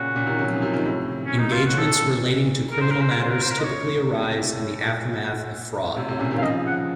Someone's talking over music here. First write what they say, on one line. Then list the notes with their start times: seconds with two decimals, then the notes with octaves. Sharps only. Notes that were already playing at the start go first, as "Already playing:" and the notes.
Engagements relating to criminal matters typically arise in the aftermath of fraud.
Already playing: A#2 C#3 F#4
0.15 A#2 C#3
0.26 C3 D#3
0.39 D#3 F#3
0.50 C#3 F3
0.62 C3 D#3
0.73 C3 D#3
0.85 A2 C3
1.26 C#4
1.38 D#4
1.52 F4
1.66 A2 F#4
1.78 A#2 A4
2.01 A2
2.25 A#2
2.71 A#4
2.81 C5
2.90 A#4
3.01 C5
3.11 A#4
3.17 A2 C3 C5
3.30 A#4
3.41 C5
3.51 A#4
3.59 D#5
3.64 C#5
4.10 A2 C3
4.22 A#2
4.33 A2
4.46 A#2
4.57 A2
4.80 A#2
5.96 A2 C3
6.08 A2 C3
6.19 A#2 C#3
6.31 C3 D#3
6.38 F5
6.42 C#3 F3 D#5
6.67 F#5